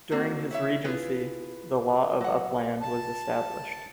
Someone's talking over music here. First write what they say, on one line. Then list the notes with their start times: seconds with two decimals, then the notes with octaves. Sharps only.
During his regency, the law of Uppland was established.
0.11 A#3 C4 F#4 C5
0.51 E4 C#5 E5
0.85 E4 F4 G#4 B4
2.21 F#3 F#5
2.82 A5